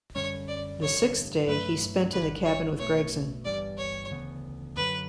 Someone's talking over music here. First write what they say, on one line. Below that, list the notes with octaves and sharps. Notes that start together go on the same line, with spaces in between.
The sixth day he spent in the cabin with Gregson.
F#2 D3 G3 C#4 C#5
D5
A1 G2 D3 C#5
G2 F#3 A3 B4
G1 G2 D3 B4
C#5
B1 B2 A3 C#5
G1 G2 E3 G3 D5
C#5
D2 C#3 E3 B3
F#2 D3 F#3 B4